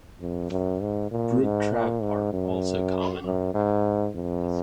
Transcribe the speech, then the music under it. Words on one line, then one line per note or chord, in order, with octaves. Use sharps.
Brook trout are also common.
F2
F#2
G#2
A#2
G#2
A#2
G#2
F#2
F#2
G#2
F2